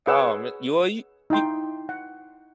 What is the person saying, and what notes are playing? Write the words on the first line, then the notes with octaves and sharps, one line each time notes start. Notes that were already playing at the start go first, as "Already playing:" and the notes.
Oh ma well, you you
G#4 B4 C#5 F#5 E6
D#4 E4 G5 C6
F#5